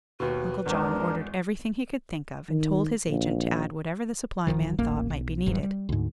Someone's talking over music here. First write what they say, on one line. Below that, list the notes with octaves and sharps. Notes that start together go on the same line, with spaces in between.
Uncle John ordered everything he could think of and told his agent to add whatever the supply man thought might be needed.
D#2 B2 B4
G#1 E2 G#3 D4 A#4
D#3
A#1
D1 B1 D#3 F3
D#1 A1 A#3
B1
E1 G2 F#3
G3
D2 G#2